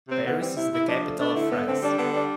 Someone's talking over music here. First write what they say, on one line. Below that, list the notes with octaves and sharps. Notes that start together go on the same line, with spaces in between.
Paris is the capital of France.
C3 C4
E3 B3
G3 C4
C3 E4
C3 E4
F3 D4
A3
A3 D4
D3 E4
A3 B3
D3 C4
G3 D4
D3 B3
G3 D4